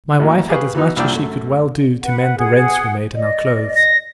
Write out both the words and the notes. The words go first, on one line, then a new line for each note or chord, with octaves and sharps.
My wife had as much as she could well do to mend the rents we made in our clothes.
A1 D#2 F#3
G4 G#4 B4 F5 C#6
E3 F#3 B3 D#4
C2 A#2 D4 D5 G5 E6
F#2 A3
B4 F#5
G#4 F#5
D5 D#5
A#6